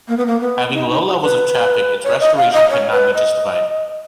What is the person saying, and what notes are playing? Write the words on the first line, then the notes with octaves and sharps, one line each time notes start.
Having low levels of traffic its restoration could not be justified.
A#3
B3
A#3
B3
D#4
D#4
F#4
B4
C#5
D#5
F5
D#5
C#5
B4
D#5